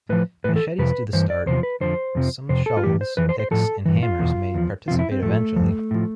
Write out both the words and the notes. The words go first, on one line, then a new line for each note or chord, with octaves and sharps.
Machetes do the start, some shovels, picks and hammers may participate eventually.
A2 F3 B4
A2 E3 B4
A4
F2 C3 F3 B4
G2 E3 C5
D5
E2 C3 F3 C5
B4
F2 D3 F3 C5
F2 C3 F3
F2 C3 C5
A4
F4
A2 E3 G4
C5
F2 E3 B4
C5
C5
A2 F3 A4
G2 E3
F4
E2 B2
E2 D3 F3
F2 C3 F3 F4
E4
C4
A2 F3 A3
G2 F3
A2 F3